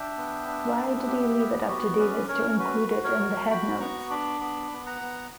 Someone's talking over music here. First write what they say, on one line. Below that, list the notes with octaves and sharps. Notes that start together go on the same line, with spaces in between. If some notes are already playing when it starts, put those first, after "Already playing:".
Why did he leave it up to Davis to include it in the headnotes?
Already playing: D4 E5 G5
B3
D4
B3
G4
B3
F#4
C#4 B4 D5
C#4 A#4 C#5
F#4 B4
F#4
A#4 C#5
F#4
F#4 G5 B5
B3 A#5 C#6
D4 B5 D6
B3 B5 D6
B3
F#5 A#5
B3